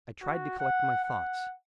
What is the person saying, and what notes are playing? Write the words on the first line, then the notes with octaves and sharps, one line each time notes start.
I tried to collect my thoughts.
F#4
F#5
F#5